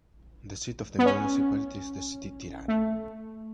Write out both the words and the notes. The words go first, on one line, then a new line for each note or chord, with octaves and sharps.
The seat of the municipality is the city Tirana.
B3
C#4
A3